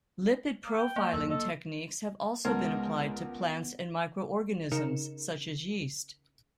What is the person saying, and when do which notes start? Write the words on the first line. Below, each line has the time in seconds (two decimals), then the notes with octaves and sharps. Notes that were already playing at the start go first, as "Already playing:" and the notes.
Lipid profiling techniques have also been applied to plants and microorganisms such as yeast.
0.66 A#3
0.78 G5
0.96 A#3 C#6
1.13 F#1 A4
1.30 A4 D#5
2.45 C#2 G#3 B3 A#4 A5
4.71 C#3 D#4 A#4 C#7 E7